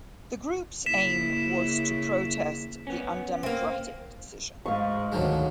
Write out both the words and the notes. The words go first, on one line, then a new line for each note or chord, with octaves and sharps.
The group's aim was to protest the undemocratic decision.
C#3 A#3 E4 B6 E7
B3 C#4
A#3 C4
G#2 F5 C#6
D2 D#3 F3 F#3 G#3